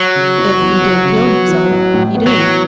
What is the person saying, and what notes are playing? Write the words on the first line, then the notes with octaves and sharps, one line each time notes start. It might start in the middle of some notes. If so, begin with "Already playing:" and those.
If he did kill himself, he did.'
Already playing: F#3
C#3
F#1
E2
F#1
C#3
B3
E3
A1
A2
B3
F#3
E3